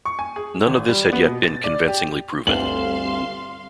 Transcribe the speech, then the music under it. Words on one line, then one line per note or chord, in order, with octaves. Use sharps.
None of this had yet been convincingly proven.
C#6
G#5
G#4
G#1
G3
B3
B2
A6
D5
G4
G1 D2 G3 C4 F5 A5 C6 F#7